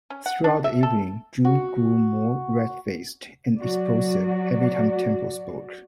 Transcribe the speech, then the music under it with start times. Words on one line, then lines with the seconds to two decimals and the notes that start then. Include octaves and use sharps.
Throughout the evening Drew grew more red-faced and explosive, every time Temple spoke.
0.10 C#4
0.26 F#5
0.44 D4
0.64 E5
0.83 A4
1.45 F#4
3.58 F#3 F#4 D5